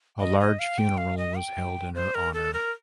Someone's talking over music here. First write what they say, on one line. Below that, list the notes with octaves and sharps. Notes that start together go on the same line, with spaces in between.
A large funeral was held in her honor.
D#5
D#5
F5
G5
F5
D#5
G5
C5
A#4
A4
A#4